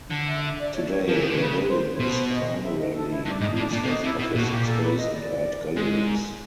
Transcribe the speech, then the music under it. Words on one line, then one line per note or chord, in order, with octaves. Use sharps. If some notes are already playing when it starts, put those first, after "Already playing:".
Today the building is primarily used as office space and art galleries.
D3
E5
E5
D5
C#5
D5
C#5
F3 A#4
E3
D#3
D3
C#3 B4
C5
C#5
B2 C5
D#5
E5
D#5
A4
E4
G2 D4
G#2 D#4
A2 D4
A#2 D4
C3
B2 D#4
C3 E4
B2 E4
A#2 F#4
B2
A#2 G4
A4
B4
D#5
D5
G#2